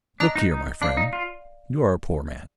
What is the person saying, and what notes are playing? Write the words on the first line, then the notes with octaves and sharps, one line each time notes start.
'Look here, my friend, you are a poor man.
D4 D#5 A#5 D#6 F#6
D#4
D#4
D4 D5 F5 B5
D#4
F4